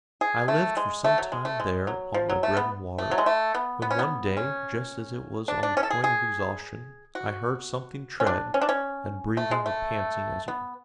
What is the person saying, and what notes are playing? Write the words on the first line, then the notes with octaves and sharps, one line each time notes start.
I lived for some time there upon my bread and water, when one day, just as it was on the point of exhaustion, I heard something tread, and breathing or panting as it moved.
G#4
A3
G#3
A3
F#3
G#3
A3
G#3
F#3
F3
F#3
A3
B3
A3
F#3
G#3
A3
B3
B3
C#4
B3
C#4
D4
D4
C#4
A4
G#4
G#4
F#4
C#4
D4
C#4
D4
C#4
A3
G#3
A3
B3